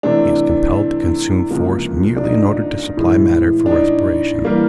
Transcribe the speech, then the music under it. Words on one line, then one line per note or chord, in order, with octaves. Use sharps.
He is compelled to consume force merely in order to supply matter for respiration.
C3 E3 A3 D4
C#2 C3 F3 A#3
D4
D#4
A2 E3 G#3
D4
D#4
E3 G3 A#3